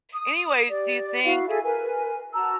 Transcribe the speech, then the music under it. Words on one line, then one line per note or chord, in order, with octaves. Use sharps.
anyways, do you think
D#6
G4 D5
E4 F#4 F5
G#4 A4 E5 G#5
A#4 B4 G#5
F#4 A5 A#5 E6